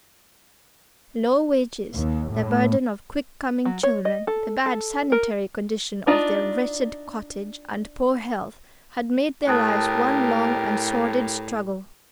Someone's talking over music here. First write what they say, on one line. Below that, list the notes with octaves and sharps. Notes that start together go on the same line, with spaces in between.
Low wages, the burden of quick-coming children, the bad sanitary conditions of their wretched cottage, and poor health, had made their lives one long and sordid struggle.
D#2
A2
F#3
C#5
D#5
A4
A4
A#4
D4 D#4 F4
A2 G4 A#4 A5 D#6 F#6